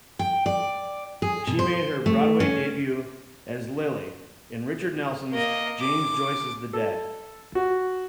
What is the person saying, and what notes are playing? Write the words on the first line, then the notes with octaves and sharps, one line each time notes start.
She made her Broadway debut as Lily in Richard Nelson's "James Joyce's The Dead".
G5
D5
G#4
B2
C5
A3
C#4
A#3 D#5
D6
A4
F#4